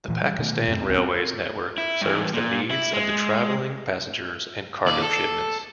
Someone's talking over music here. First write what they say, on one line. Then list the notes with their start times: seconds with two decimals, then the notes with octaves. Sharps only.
The Pakistan Railways network serves the needs of the traveling passengers and cargo shipments.
0.08 A#2 E3
0.22 G3
0.39 B2 D#3 F#3 A3
0.68 F#2 C4
0.85 D#1 C#2 C4
0.98 C4
1.78 E4
2.02 G2 E3
2.34 A#2
2.70 E4
2.93 G#3
4.86 D#2 D5
5.02 A4